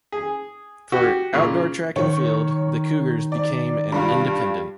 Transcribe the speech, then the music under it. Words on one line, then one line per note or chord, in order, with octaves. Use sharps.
For outdoor track and field, the Cougars became an Independent.
G#4
F#4 G4
A#2 C#3
D#3 C#5
D5
G2 G3 F4